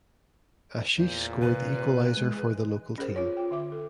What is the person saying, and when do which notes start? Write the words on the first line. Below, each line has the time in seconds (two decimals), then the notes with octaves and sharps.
Ashish scored the equalizer for the local team.
0.98 E2 A#2 C5
1.42 C3 B4
2.17 E3 G#3
2.98 C#4 G#4 A#4 C5
3.16 F4 C#5
3.37 F4 G5
3.51 D3 E5 D6
3.72 A4